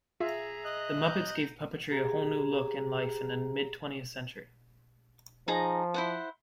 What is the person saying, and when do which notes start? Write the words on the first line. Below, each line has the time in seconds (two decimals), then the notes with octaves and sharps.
The Muppets gave puppetry a whole new look and life in the mid-twentieth century.
0.21 F4 G#4 E5 A#5
0.65 D#5 F#6
0.98 A#5 G6
1.91 G4 G#4 A#5
5.48 F3 D#4 G#4 A#5
5.94 E4 C5 F#5